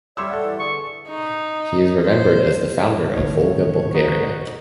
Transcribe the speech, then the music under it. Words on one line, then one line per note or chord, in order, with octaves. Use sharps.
He is remembered as the founder of Volga Bulgaria.
G3 G4 C#5 D5 E5 C6 E6
A4 F#5
E3
D3 G#4 C#6
D#4
C5
C2 A2 D#3 C#5
D#4 F#4